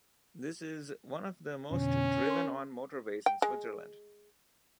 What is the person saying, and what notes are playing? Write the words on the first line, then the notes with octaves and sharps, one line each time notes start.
This is one of the most driven-on motorways in Switzerland.
F2 B2 D3 C#4
A#4 C6
G5
G#3